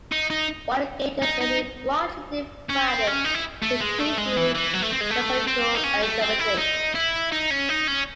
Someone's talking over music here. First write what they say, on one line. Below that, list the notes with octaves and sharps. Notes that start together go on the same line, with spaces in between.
Wire gauges may be broadly divided into two groups, the empirical and the geometric.
D#4
D#4
D#4
D#4
C#4
C4
C#4
D#4
E4
A3
G#3
A3
G#3
E3
E3
F#3
A3
C4
G#3
A3
C4
D#4
C#4
A3
C4
E4
D#4
E4
D#4
C#4
D#4
C#4